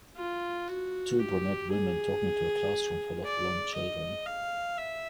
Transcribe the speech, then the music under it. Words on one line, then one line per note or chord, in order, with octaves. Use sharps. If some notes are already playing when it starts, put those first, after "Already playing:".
Two brunette women talking to a classroom full of blond children.
F4
F#4
G4
G#4
D5
D#5
F5
E5